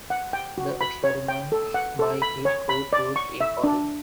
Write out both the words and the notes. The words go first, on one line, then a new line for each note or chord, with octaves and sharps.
The experiments by his group used "E. coli".
F#5
G5
F#4
B5
C#5
G5
A4
F#5
A4
B5
C#5
B5
D5
C#6
E5
D4